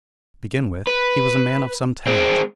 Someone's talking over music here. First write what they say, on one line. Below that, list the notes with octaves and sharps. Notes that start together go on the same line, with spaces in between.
To begin with, he was a man of some talent.
B4
G#3 C4